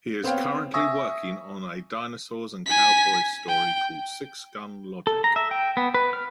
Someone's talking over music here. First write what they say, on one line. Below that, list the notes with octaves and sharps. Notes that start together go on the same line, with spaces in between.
He is currently working on a dinosaurs and cowboys story called "Sixgun Logic".
B3 C4 C5 C#5 F5 G5
E5 G#5 C#6 D#6 E6 A#6
G#5 B6
G5
A4
A#5
E5
G5
B3
B4
F6